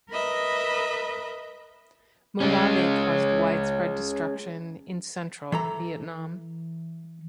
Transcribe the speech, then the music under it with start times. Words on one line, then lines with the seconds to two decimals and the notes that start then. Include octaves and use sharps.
Molave caused widespread destruction in Central Vietnam.
0.10 A#4 B4 D#5 E5 B5
2.42 G#3 C#4
5.52 E3 A4 A#5